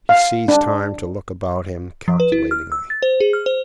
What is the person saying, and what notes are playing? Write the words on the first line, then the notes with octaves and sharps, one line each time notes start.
He seized time to look about him calculatingly.
F5
D4
F3
B4
E4
F6
E6
A6
C5
G#4
F6
C5